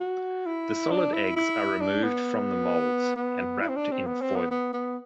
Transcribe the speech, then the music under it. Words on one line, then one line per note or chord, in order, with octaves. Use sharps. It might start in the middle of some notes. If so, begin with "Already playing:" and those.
The solid eggs are removed from the moulds and wrapped in foil.
F#4
E4
D4
E4
E4
D4
B3
B3
E4
C4
D4
C4
B3
C4
B3
B3
B3